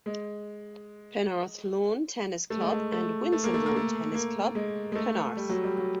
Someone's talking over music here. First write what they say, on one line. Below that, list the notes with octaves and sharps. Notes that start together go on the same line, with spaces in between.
Penarth Lawn Tennis Club and Windsor Lawn Tennis Club, Penarth.
G#3
A3
G#3
A3
A3
A3
A#3
A3
A#3
A3
A#3
G#3
G#3
A3
G3
F#3
G3
F#3